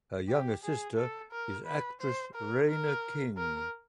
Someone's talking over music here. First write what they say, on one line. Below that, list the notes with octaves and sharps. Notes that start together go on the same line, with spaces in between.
Her younger sister is actress Reina King.
G4
G#4
A4
A#4
B4
C5
A#4
A#4
A#4